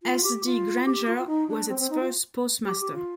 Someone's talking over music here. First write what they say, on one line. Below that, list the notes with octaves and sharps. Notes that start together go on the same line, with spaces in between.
S. D. Granger was its first postmaster.
F4
G4
F4
G4
F4
F4
D#4
D4
C4
C4
D#4
F4
G4
G4
F4